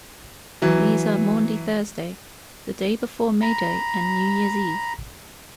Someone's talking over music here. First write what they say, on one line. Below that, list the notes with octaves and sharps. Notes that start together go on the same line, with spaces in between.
These are Maundy Thursday, the day before May Day and New Year's Eve.
E3 F#3
A#5 B5